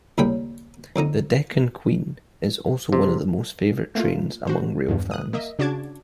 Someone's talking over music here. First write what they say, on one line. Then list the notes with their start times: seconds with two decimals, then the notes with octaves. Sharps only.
The "Deccan Queen" is also one of the most favourite trains among railfans.
0.18 D#2 A2 C#3 G3 G5 B5
0.96 F2 D3 D#4 A#5
2.93 C3
3.95 A3 A#3 F4
4.47 F#4 C5
4.88 E2 G2
5.11 D#6 F#6
5.33 A#3 D#5 E5
5.59 C#3 D4 F#4 A5 D6 G#6